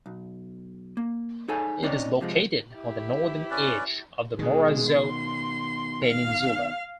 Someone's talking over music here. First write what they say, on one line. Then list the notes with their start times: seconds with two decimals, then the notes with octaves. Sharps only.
It is located on the northern edge of the Morrazo peninsula.
0.06 B1
0.97 A#3
1.48 D#4 G#4 A4 C#5 G#5
1.83 C4 C#4 D#4 C#5 D5
2.21 C3 F3 G#3
2.74 E4 G4
3.51 C#4 B4 D5
4.39 B2 D#3 G#3
4.90 C6
6.04 F5